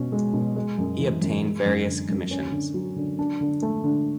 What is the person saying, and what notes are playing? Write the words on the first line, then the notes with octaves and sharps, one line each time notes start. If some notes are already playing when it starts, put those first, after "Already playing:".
He obtained various commissions.
Already playing: B2 C#4
G#3
B2
G#3
F#2
E3
F#2
G#3
F#2
D3
F#2
C#4
D3
F#3
D3
D4
D3
A3
D3